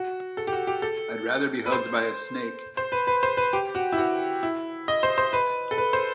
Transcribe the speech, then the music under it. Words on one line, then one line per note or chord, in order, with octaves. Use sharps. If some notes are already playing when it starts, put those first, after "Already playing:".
I’d rather be hugged by a snake.
Already playing: F#4
A4
G4
F#4
G4
A4
B4
C5
C5
B4
B4
C5
B4
G4
F#4
E4
F#4
E4
D#5
C5
C5
B4
A4
B4
C5